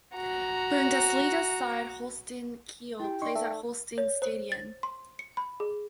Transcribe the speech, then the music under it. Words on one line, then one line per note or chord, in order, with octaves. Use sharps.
Bundesliga side Holstein Kiel plays at Holstein-Stadion.
F#4 A#5
E4 G4 G5
D#4 D5 D#5 C6 C#6
A3 E5
C#5
C5
A6
C6
C#7
B5
G#4